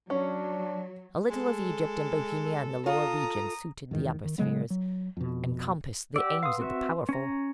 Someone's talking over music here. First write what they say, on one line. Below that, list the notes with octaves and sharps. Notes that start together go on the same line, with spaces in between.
A little of Egypt and Bohemia in the lower regions suited the upper spheres, and compassed the aims of the powerful.
F#3 C#4 D4 C#5
G#3 A4
F4 A4 A#5 D#6
E2 G#2 D#3
D#3
C#3 F#3 G#3 B3
F#3
F2 B2
G4 D5 F#5 E6
B4 F5 C6 D#6
C4 F#4 E5
C#4 A#5